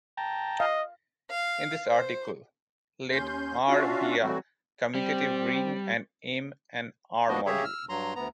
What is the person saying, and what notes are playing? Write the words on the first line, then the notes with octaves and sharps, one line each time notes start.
In this article, let "R" be a commutative ring and "M" an "R"-module.
G5 A5 A#5
D#5 F5
F5
C5
D#2 C#4 C6 G6
C#4 D4 F4 F#4 E5 F5
E3 F#3 G3 A3 C4 F#4
G3 C4
D#2 F3 B3 D4 F#4 D#5
C#3 G4 G#4 C#5 E5
E6 F6
G2 F#3 A#5 C6
D2 B3 A#5